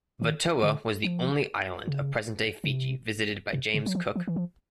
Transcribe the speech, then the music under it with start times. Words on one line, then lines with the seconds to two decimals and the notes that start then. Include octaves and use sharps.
Vatoa was the only island of present-day Fiji visited by James Cook.
0.22 D#3
0.63 D3
1.04 F3
1.87 C#3
2.64 C#3
2.70 C3
3.53 C3
3.74 C#3
3.86 F#3
3.95 F3
4.16 F3
4.28 E3
4.36 F3